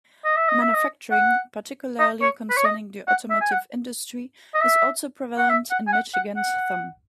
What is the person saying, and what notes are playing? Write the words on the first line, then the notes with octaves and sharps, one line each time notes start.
Manufacturing - particularly concerning the Automotive Industry - is also prevalent in Michigan's Thumb.
D#5
E5
D#5
E5
D#5
F#5
D#5
C#5
B4
C#5
D#5
F#5
E5
G#5
F#5
D#5
E5
F#5
E5
F#5
G#5
F#5
F#5
F#5